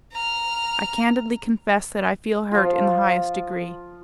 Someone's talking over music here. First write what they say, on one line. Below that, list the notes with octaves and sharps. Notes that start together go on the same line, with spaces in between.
I candidly confess that I feel hurt in the highest degree.
A#5 F6
F3 F4